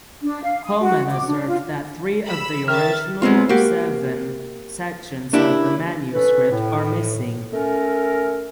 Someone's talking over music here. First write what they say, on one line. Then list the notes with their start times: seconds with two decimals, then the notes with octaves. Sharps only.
Holman observed that three of the original seven sections of the manuscript are missing.
0.22 D4
0.43 F5
0.64 D#6
0.81 F#4
1.10 D6
1.27 D4
1.47 F4
2.26 B5 E6
2.68 D#3 E5 F6 A6
3.22 G#3 B3 C4 F4
3.49 A#3 F#4 G4
5.33 A#3 D4 E4 G4
6.13 C#4 A4 B4
6.51 A2
7.52 A3 C#4 A4 A#4